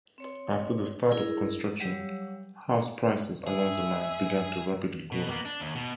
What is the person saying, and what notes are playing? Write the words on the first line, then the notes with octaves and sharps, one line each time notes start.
After the start of construction, house prices along the line began to rapidly grow.
C4 C#5 C6
E4 G#4 A#4
F#3 G3 G4 C#5 F5 E6
G#4 E5
B2
A#3 B3
D4
D#2
B2